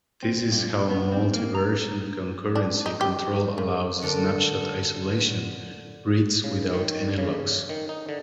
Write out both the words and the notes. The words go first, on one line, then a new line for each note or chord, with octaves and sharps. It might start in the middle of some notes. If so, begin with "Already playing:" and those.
This is how multiversion concurrency control allows snapshot isolation reads without any locks.
C4
G2
G2
B3
C4
A#3
A#5
D4
D#4
G4
C#3
D3 A4 A#4
C#3
D#3
C#3
D#3
D#4
D3